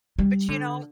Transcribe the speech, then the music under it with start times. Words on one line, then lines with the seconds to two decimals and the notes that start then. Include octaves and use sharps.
But you know,
0.19 G3
0.48 D3